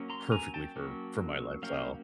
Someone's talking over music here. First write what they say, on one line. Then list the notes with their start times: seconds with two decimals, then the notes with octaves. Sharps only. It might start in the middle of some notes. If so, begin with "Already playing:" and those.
perfectly for for my lifestyle.
Already playing: F#3 A#3 C#4
0.10 A#5 C6
0.32 G#5 A#5
0.54 G5 A5
0.76 F#3 A#3 C#4
1.63 F#3 A#3 C#4 F5 G5